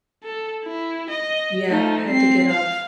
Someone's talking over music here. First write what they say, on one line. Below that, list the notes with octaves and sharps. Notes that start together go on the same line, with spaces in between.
Yeah, I had to get up
A4
E4
D#5
A3 D#4
C4 C7
F5